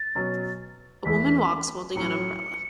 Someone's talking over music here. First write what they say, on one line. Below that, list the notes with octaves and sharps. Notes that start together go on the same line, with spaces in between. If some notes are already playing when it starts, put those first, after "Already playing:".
A woman walks holding an umbrella.
Already playing: A6
B2 F#3 C#4
E2 E3 A3 E4 B6
A2 F#3 C#4 C#7